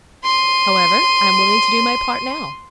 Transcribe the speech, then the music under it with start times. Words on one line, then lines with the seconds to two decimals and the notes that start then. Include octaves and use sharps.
However, I am willing to do my part now.
0.24 C6 D#7